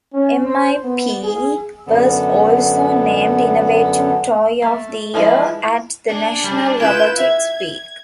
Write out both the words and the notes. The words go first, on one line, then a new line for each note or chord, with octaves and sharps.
MiP was also named "Innovative Toy of the Year" at the National Robotics Week.
C#4
C5
B3
G#4
F#2 D3 B3
A3
E3 F3 G#3 E4
D4 G#4
G3
E4 F4 B4 G6 E7
E5 G#6